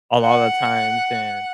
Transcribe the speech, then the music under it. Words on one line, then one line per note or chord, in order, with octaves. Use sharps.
a lotta the times, and
F#5